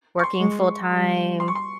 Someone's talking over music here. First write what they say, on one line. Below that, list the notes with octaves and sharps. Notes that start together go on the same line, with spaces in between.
working full time
C#6
C6
G#3
G3
C6
C#6
C6